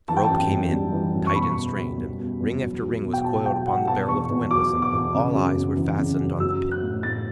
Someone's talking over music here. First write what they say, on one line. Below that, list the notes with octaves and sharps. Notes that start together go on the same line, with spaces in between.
The rope came in tight and strained; and ring after ring was coiled upon the barrel of the windlass, and all eyes were fastened on the pit.
E3 A5
G5
A5
F#2
F#2
G3
E3
F#2
C#6
B2 B5
E2
E2
G3
B2
E2
F#3
F#3
B2
G5
B2 A5
F#3 G5
F#3 F#5
B2 A5
E2 C#6
E2
F#3 D6
B2
D6
E2
C#3
F#2
F#2
E3
C#3
F#2
F#3 E6
F#3
F#6
A2
A2 A6